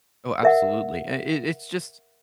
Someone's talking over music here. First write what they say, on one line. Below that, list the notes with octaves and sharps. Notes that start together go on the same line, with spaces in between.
Oh, absolutely, it it it's just
A#4 E5 F#5